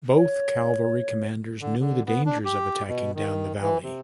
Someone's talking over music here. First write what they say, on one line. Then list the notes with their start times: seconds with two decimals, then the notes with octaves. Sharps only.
Both cavalry commanders knew the dangers of attacking down the valley.
0.15 C#5
1.61 D3
1.80 D3
2.07 B3
2.26 D4
2.45 G4
2.88 B2
3.15 D#3
3.62 E3
3.83 C3